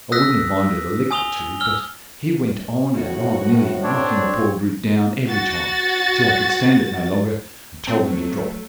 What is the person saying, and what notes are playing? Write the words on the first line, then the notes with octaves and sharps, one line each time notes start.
I wouldn't have minded a lick or two, but he went on and on, nearly knocking the poor brute down every time, till I could stand it no longer, and told him to drop it.
D#6 E6 F#6 A#6 B6
G#5 D#6 F7 G7
E6 F6 G7
G#1 A2 F#4
C4 D4 C#5
F#4 A6
F#3 A3 C4